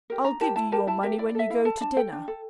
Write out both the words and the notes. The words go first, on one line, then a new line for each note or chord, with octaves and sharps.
I'll give you your money when you go to dinner.
G4 A#4
D4 A#5
G4 A#4 A5
E4 A5
G4 A#4 A5
E4 A5
G4 A#4 E5
E4 D5
D5
A4 E5
E4 F5
A4 A5
D4 A5
A4 G5
D4
A4